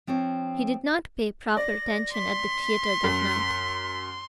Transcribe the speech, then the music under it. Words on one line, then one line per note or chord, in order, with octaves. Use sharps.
He did not pay proper attention at the theatre that night.
F3 C4 D4 C#5
D5 A#6
C6 B6
F#2